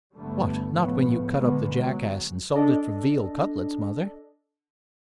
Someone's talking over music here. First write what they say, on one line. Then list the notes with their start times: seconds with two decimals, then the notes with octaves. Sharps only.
"What, not when you cut up the jackass and sold it for veal cutlets, mother."
0.14 G1 G2 D3 G3 A3 B3
0.73 C#2 A2 F3 B3
1.37 A#2 D3 D#3 G#3 A#3 B3
1.72 F#3 G#3
2.55 D4 A4 D5 D#5